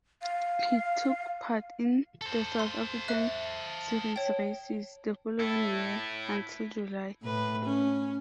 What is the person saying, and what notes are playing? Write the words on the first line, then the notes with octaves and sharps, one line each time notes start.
He took part in the South African series races the following year until July.
F5
A4 C5
C6
E5 F#6
C#5 G5
E4 A4
A2 B4
C#4